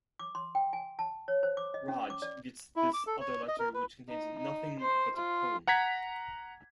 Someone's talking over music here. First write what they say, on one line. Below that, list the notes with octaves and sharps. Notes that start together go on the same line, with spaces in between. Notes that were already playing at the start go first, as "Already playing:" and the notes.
Raj gets this other letter which contains nothing but a poem.
D6
C6
G5
G#5
A5
C#5
C5
D6
D#5
C#4
D6
D5
E4
D6
A4
C#5
D#5
A#4
B4
D#4
D#4
C5
F4
F#5 A#5 G#6 B6